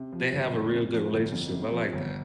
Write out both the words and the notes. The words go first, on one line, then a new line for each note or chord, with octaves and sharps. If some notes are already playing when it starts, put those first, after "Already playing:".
they have a real good relationship. I like that.
Already playing: C3
F3
G1
F2
C3
F3
G1
F2
C3
F3
G1